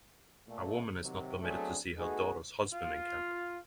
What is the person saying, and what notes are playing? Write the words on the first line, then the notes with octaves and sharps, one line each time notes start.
A woman is not permitted to see her daughter's husband in camp.
A#2 A3
C3 D#3 F#3
F#3 A3 B3 C4 D4 G#4
A3 B3 D#4 F#4 G#4
F4